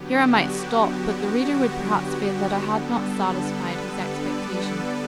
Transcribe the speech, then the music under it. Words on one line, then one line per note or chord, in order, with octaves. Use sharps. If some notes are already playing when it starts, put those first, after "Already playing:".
Here I might stop; but the reader would perhaps feel that I had not satisfied his expectations.
Already playing: D3 F#3 B3 G4
F#4
G4
F#4
F#4
G4
D3 G3 B3 A4
B4
B4
D5